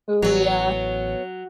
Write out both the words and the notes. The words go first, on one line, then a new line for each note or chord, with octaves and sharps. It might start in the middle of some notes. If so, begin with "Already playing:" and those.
Ooh, yeah.
A1 E3 F#3 B3 C#5